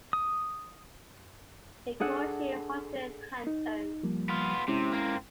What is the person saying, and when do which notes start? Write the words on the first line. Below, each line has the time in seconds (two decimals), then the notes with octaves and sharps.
In Coleshill Hundred Hantone.
0.13 D#6
2.00 D4 G#4 A4 F#5
3.47 D#4
4.03 F3 G3 A#3
4.29 B3 F4
4.68 C3 G#3 C#4 E4
4.93 A#3 C4